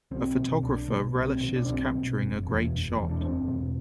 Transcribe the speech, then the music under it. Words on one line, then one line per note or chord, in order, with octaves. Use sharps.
A photographer relishes capturing a great shot.
B1 C4
B2
B1 D4
B2
B1 C4
B2
D4
B1 C4
B2
F#1
E2
B2
F#1
E2 B2
D4
F#1 C4
E2 B2